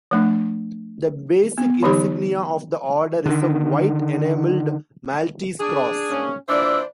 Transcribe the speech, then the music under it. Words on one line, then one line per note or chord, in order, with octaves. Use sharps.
The basic insignia of the Order is a white-enamelled Maltese cross.
F3 A3 D4
B3
D3 E3 F#3 D#4 G4 B5
D3 D#3
D4 G#4
G#2 A#3 C#4
A#2 E3 D4 C5 D5 E6